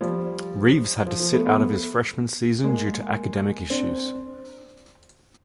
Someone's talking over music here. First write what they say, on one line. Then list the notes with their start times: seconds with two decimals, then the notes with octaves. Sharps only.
Reeves had to sit out his freshman season due to academic issues.
0.01 F3 G3
1.06 F3
1.20 F3
1.32 A3 B3
1.46 A3 B3
2.64 G#3 A#3
3.70 C4 D4